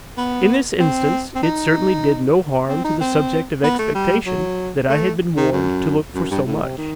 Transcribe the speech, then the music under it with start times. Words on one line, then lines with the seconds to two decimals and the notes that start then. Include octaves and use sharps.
In this instance it certainly did no harm to the subject of expectation that I had been warned to look for so much.
0.17 B3
0.80 C4
1.35 C4
1.43 D#4
2.69 C4
2.85 D#4
3.01 C4
3.64 B3
3.79 A3
3.95 G3
4.26 F#3
4.89 A3
5.36 D#3
5.52 F#2
6.15 F#2
6.31 G2
6.47 A2
6.62 C3
6.78 D#3